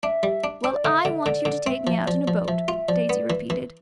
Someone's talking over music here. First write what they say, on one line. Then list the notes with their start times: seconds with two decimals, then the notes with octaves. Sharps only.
"Well, I want you to take me out in a boat!" Daisy repeated.
0.03 D4 E5
0.23 G3
0.44 D4
0.64 D4 C5
0.75 D5
0.85 D3 E5
1.05 D3
1.25 D3 D5
1.45 D3
1.67 C4 E5
1.87 F3
2.06 F3 D5
2.28 F3
2.48 F3 E5
2.68 F4
2.88 F3 D5
3.09 B3
3.30 E3
3.50 E3